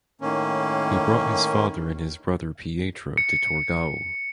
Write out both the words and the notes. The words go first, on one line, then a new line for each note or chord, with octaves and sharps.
He brought his father and his brother Pietro to Torgau.
A2 D#3 A#3 C#4
C#7